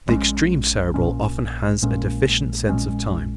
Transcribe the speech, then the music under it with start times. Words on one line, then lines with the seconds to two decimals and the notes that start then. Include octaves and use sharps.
The extreme Cerebral often has a deficient sense of time.
0.07 A#1 A#2 G#3 C#4
0.94 A#1 A#2 G#3 C#4
1.82 A#1 A#2 G#3 C#4
2.69 A#1 A#2 G#3 C#4